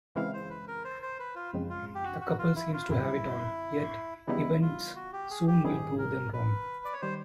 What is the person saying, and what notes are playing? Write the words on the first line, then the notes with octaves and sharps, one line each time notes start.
The couple seems to have it all, yet events soon will prove them wrong.
C#3 E3 G#3 C4 E4 F5
C5
B4
A#4
C5
C5
B4
F4
F#2 C#3 F3 G#3 C4
F4
G4
F#4
F#4
F4
E4
F4
F#2 D3 G3 C4 E4
C#3 E3 G3 B3 D#4 E4
F4
F#4
G4
G#4
G4
D#3 G3 C4 E4 G#4
A#4
B4
D5
C#5
D#3 G3 C5